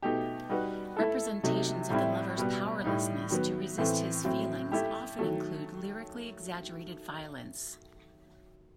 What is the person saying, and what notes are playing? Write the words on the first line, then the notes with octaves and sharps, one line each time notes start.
Representations of the lover's powerlessness to resist his feelings often include lyrically exaggerated violence.
B2 A3 D#4 G4
G3 D#4 F#4 B4
A3 E4 A4
C3 F#3 A3 D#4
A2 G3 C4 E4
B2 G3 B3
A2 G3 D#4
D#3 F#3 B3
A2 E3 A3 C4
A2 F#3 C4
A3 E4 G4
D#3 F#3 A3